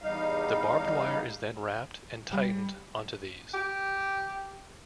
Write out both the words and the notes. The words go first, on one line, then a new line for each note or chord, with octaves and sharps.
The barbed wire is then wrapped and tightened on to these.
E2 G3 D#4 F5
G3
G4